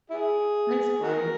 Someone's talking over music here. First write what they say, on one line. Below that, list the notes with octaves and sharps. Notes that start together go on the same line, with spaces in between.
That's great.
E4 G#4
F#4 A#4